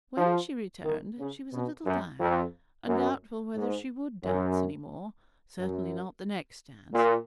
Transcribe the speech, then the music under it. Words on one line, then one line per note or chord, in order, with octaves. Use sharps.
When she returned, she was a little tired, and doubtful whether she would dance any more--certainly not the next dance.
F3
D#3
C#3
B2
F#2
F2
F#2
G#2
F#2
F#2
A#2